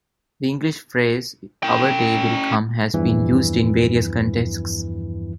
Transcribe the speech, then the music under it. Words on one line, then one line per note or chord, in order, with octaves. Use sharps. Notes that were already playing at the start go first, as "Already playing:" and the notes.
The English phrase "our day will come" has been used in various contexts.
C#4 G5
E2 G2 E3 F3